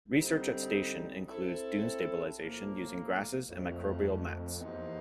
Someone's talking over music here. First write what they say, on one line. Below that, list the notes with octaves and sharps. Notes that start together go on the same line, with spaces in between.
Research at station includes dune stabilization using grasses and microbial mats.
D3 G3 C4 D#4
C4 E4 A4
A2 F3 A#3
F2 A#2 F3 A3
E2 A#3 D#4 G4 C5